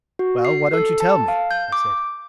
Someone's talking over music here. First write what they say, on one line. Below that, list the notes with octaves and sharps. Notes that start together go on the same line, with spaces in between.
"Well, why don't you tell me?" I said.
F#4
C7
A4
A5
F5
G6
D6